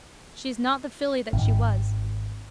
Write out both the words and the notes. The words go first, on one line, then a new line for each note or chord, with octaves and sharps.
She is not the filly that she was.
G#1